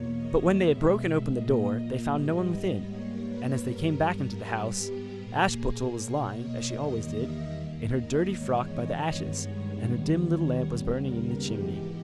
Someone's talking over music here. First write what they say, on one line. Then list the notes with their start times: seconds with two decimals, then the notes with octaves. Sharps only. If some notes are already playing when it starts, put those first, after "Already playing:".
But when they had broken open the door they found no one within; and as they came back into the house, Ashputtel was lying, as she always did, in her dirty frock by the ashes, and her dim little lamp was burning in the chimney.
Already playing: E2 B2 A#3 C#5
0.12 D#5
0.51 B2 G#3 B3 E5
1.29 A#2 A#3 D#5
2.07 G#2 G3 B3 D#5
2.46 D#5
2.85 G#2 G3 A#3 C#5
3.24 B4
3.63 G2 G3 B3 A#4
4.40 G#2 G3 B3 G4
5.19 A#2 A#3 G#4
5.96 B2 A#3 C#5
6.36 D#5
6.74 E2 D#3 G3 A#3 D#5
7.13 E5
7.52 D#2 D#3 A#3
7.91 D#5
8.30 G#2 E3 G#3 B3 C#5
8.69 D#5
9.08 G2 D#3 G#3 B3 C#5
9.85 D#2 D#3 G3 B3
10.25 C#5
10.63 D#2 C#3 G3 B3
11.02 A#4
11.41 G#2 E3 G#3 B3 G4